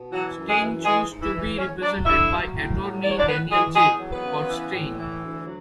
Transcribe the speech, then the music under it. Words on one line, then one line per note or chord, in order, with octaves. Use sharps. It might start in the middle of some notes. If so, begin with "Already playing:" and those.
Steyn chose to be represented by attorney Daniel J. Kornstein.
Already playing: B2
E3 F#3 F#4
F#2
G#3 G#4
E3
E3 G#3 G#4
G#2
E3 E4
E3
E2 C#4 C#5
F#3 D4 D5
D3 E4 E5
F#3
A2
F#3
E3 D5
C#5
D4 D5
A2 B3 B4
E3 G#3 G#4
E2 G#3 G#4
F#3
B3 B4
C#3
E3
A2
E3
D2
F#3